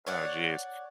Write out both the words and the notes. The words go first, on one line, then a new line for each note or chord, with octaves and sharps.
Oh, jeez.
C#5 D5 F#5